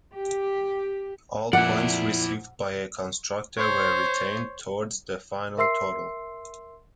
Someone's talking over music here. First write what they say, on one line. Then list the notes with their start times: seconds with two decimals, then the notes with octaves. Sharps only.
All points received by a constructor were retained towards the final total.
0.13 G4
1.53 F2 A#2 E4 D5 F#5
3.57 C5 C#5
5.58 A#4 E5 C6 E6 C7